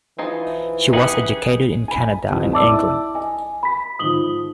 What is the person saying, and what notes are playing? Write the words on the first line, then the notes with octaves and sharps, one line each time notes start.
She was educated in Canada and England.
E3 F3 D#4 G#4
C#3 D#4 G4 G#4 B4 F#5
G#5 B5
C2 F2 E3
E4 D5 A5 D6 E6
D#5 G#5
B5 B6
G#2 D#3 F3 D#6 F#7 G7